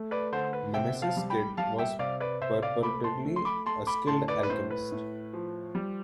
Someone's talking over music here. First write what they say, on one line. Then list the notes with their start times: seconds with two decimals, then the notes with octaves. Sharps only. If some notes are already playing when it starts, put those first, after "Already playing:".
Nemesis Kid was purportedly a skilled alchemist.
Already playing: A3
0.11 B4 D5
0.33 D3 C5
0.53 B4
0.74 C3 E5 G5
1.02 F5 A5
1.17 G3
1.30 G5 B5
1.57 G3 F5 A5
1.78 E5 G5
1.99 C3 D5 F5
2.20 B4 D5
2.41 C3 C5 E5
2.62 D5 F5
2.82 A3 B5 D6
3.04 A5 C6
3.25 A3
3.36 C6
3.45 B5 D6
3.66 A3 A5 C6
3.87 B5 D6
4.07 A2 A5 C6
4.28 B4 D5
4.43 B4
4.49 A2 C5
4.71 B4
4.91 A2
5.33 F3
5.75 G3